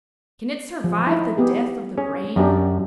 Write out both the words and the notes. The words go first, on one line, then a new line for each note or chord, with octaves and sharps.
Can it survive the death of the brain?
F3
D#4 E4
B3 G4 G#4
C#4 G#4
F#2 C#4 D4 G4 A#4